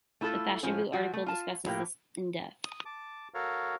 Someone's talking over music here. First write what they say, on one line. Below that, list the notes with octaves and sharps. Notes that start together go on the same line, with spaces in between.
The fashion boot article discusses this in depth.
A3 E4 F4 A4
A2 F3 C#4
F3 F#3 F#4
A3
F4 A5
A2 A#3 G4
D#6
A5 D6
F#4 A4 A#4 C#5 F5